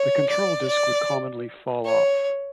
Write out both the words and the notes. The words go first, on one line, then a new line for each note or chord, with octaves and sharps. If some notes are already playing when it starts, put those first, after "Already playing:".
The control disc would commonly fall off.
Already playing: C#5
D5
D5
C#5